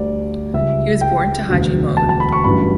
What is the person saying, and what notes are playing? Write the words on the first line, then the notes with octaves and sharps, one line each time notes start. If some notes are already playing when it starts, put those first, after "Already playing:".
He was born to Haji Mohd.
Already playing: D2 D3 G3 D5
C#2 C#3 G3 E5
G5
E1 D2 D3 F#3
A5
A5
B5
C#6
A1 G2 F#3 B5